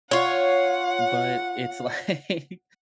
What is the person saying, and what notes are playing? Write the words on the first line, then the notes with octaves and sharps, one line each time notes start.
But it's like,
F4 C#5 F#5